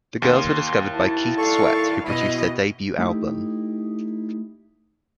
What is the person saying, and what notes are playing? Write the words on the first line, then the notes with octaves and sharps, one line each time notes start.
The girls were discovered by Keith Sweat who produced their debut album.
D#2 C6
E4 A5
A4 D5 F5 C#6
B2 E4 D#5
A3 D#4 E4 G4